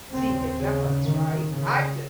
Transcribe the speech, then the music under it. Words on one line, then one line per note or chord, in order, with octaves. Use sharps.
see the difference, right? I didn't.
D#2 C#3 C4
C#3
D#3
C#3